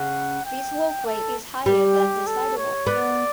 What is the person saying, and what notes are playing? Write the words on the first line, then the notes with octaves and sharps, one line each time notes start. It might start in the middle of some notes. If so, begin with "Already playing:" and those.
This walkway is higher than the sidewalk.
Already playing: C#3 F#5
G5
A4
G3 G4
A4
C#5
B3 D5